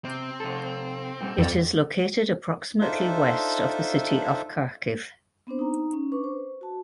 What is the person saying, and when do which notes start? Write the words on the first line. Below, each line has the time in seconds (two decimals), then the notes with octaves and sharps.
It is located approximately west of the city of Kharkiv.
0.05 C3 C4
0.40 C3 A4
1.20 A#2 G3
1.38 F2 A4 D5
2.81 D4 D#4 F4 A4 C5 E5
5.47 B3 C4 D4 C5
5.59 D#4 A#5
5.93 C#4
6.12 D4 B4 C#6 D6
6.24 C5
6.61 F#4 A5